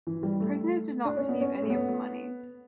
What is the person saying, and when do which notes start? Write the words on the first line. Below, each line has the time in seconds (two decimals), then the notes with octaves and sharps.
Prisoners did not receive any of the money.
0.07 E3
0.23 G3
0.40 A3
1.05 D4
1.17 C#4
1.29 B3
1.41 C#4
1.62 A3
1.70 B3